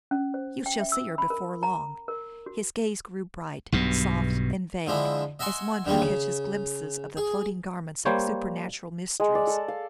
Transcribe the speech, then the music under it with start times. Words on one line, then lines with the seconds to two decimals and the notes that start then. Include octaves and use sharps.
"You shall see her before long." His gaze grew bright, soft, and vague, as one who catches glimpses of the floating garments of supernatural mysteries.
0.11 C#4
0.34 C5
0.66 G5
0.80 E5
0.92 E6
1.18 B5
1.30 A#4
1.63 A#5
2.08 A#4
2.46 F#4
3.72 B1 G2 B2
4.87 D3 F3 G#3 D4 E4
5.39 D#5 E5 F#5 G#5 C6
5.86 D3 D#3 G3 G#3 A#3
6.01 C#3
7.17 G#4
8.06 G3 A#3 C5 C#5
9.20 G#3
9.35 D5
9.47 A4
9.68 F5